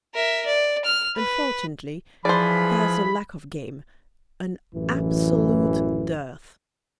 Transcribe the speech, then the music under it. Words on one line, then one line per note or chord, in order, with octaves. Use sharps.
Unfortunately, there's a lack of game, an absolute dearth.
A#4 E5
D5
F6
B4
E3 F3 F4 G#4 C5 D5 B5
A1 F#2 E3